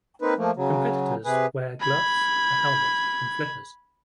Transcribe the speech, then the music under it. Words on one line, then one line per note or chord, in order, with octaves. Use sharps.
Competitors wear gloves, a helmet, and flippers.
A#3 C4 D#4 B4
F3 A3 A#3
C#3 F#3
C3 G#4 B4
B5 G#6